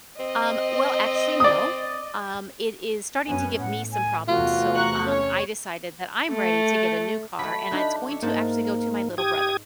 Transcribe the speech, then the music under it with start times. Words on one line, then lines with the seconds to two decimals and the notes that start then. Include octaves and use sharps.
Um, well, actually, no, um, it is starting to give me some problems, so, um, I decided that I'm ready to get a new car, and it's going to actually go to my little brother.
0.20 C4 D#5
1.40 D5 D#6
3.27 F#2 B3 C#4 G#5
3.60 A2 F#5
3.92 G#5
4.28 E2 C3 A3 F4 F#4
4.75 A#5 C#6 F#6
5.07 C#4 C#5
6.32 A3
7.39 F#3 A3 B5
7.71 D4 D#4
8.08 C#5 E5
8.22 G#2 A#3 C5 A5
9.18 G4 D#6 G#6